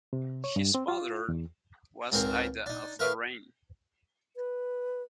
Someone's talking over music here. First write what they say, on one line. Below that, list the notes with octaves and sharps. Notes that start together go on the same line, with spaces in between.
His mother was Ida of Lorraine.
C3
C#5
G2
C4
F4
E2
C#2 G#2 C4 G#4 A#4 C5
D4 D#4
A#4 B4 E5 F5
B4